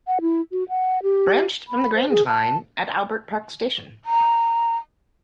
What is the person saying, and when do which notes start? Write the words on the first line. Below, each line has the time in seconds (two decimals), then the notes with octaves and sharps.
Branched from the Grange line at Albert Park station.
0.07 F#5
0.21 E4
0.52 F#4
0.69 F#5
1.03 G4
1.68 B5
1.95 C5
2.10 G#4
2.27 A5
4.06 A#5